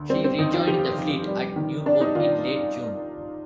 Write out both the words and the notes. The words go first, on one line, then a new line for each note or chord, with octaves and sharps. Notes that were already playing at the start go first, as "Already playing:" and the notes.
She rejoined the fleet at Newport in late June.
Already playing: D2
G3 C4
C4
D#2 D#4
F4
F1 G4
F1
G3
D#3
C3 D4
D#4
D#3 F4